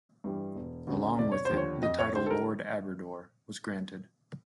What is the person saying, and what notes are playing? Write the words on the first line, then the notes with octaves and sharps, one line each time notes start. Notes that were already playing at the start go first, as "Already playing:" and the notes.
Along with it, the title Lord Aberdour was granted.
G2 E3 G3
E1
D2 C#3
F1 D5
C#5
C5
D#2 D3 F3
C#5
F2 D#5
C#5
D3 G3 C5
A4
A#4